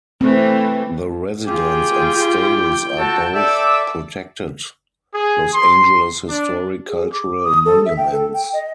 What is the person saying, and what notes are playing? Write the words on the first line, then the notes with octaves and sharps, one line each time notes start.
The residence and stables are both protected Los Angeles Historic-Cultural Monuments.
E3 A3 C4
F4 G4 G#4 G5
F#4 A4 A5
A4 D5 E5 D6 E6
G#4
C6
D4
G#4
D6
D#6
A4
E5
G5
A4
G5
D#5